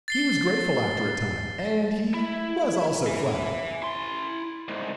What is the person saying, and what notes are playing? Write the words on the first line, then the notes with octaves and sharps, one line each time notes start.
He was grateful after a time, and he was also flattered.
A6 C7 G7
E4
E5 G#5
E4 C6
C2 G#2